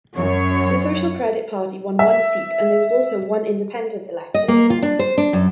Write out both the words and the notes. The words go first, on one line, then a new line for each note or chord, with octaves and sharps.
The Social Credit Party won one seat, and there was also one Independent elected.
F#2 C#5
E5
D#5
A#3
F4
D4
C5
D4
F#2